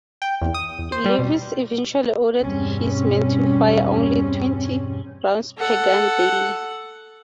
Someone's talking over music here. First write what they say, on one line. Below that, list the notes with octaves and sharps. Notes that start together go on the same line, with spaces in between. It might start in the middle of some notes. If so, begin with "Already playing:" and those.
Levis eventually ordered his men to fire only twenty rounds per gun daily.
G5
E2
D#6
E2
C5
G3
B2
E2 G2 B2 G3 C4 C#4
A4 F#5